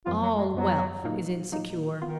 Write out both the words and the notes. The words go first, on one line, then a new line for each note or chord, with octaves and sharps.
All wealth is insecure.
F#2 F3 B3 F4
F#3
G#3
F#2 F3 F#3 B3
A#2 F#3 A#3 D#4
A#2 F#3 A#3 D#4
D#3 B3 F4